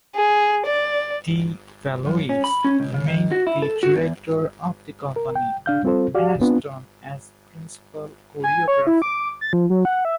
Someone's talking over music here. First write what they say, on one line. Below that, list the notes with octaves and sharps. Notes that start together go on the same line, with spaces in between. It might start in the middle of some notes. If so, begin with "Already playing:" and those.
De Valois remained the director of the company, with Ashton as principal choreographer.
G#4
D5
F#2
C#4
B5
C#4
C#2
C#3
D#3
F#4
E4
A4
F#4
E2
A#4
G5
D4 F5 G6
G3 C4 F4 A4 C5
F#4 G4 D5 F5
B3 C4 D4 F4
G#5
C#5
E4
D6
A6
F3
F#3
F#5
E5